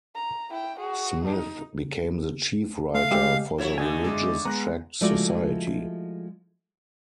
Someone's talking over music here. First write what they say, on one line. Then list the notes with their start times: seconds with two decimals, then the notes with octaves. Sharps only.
Smith became the chief writer for the Religious Tract Society.
0.15 A#5
0.50 E4 G5
0.79 F#4 G#4
1.25 D#4
2.95 A3 F5
3.11 G#3 G4
3.58 F3 E4 C#5
3.78 D3 A3 D#5 G#5
4.05 G#3
4.45 G#3 B3 A#5 F#6 A#6
5.01 F3 G#3 A3 E4 F#4 D5